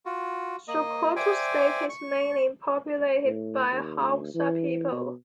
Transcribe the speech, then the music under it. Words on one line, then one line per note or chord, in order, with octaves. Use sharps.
Sokoto State is mainly populated by Hausa people.
F4 F#4
A#3 D#5
C5 D5 E5 G5 G#5
C#6
A2
D#2
D2
E3
B2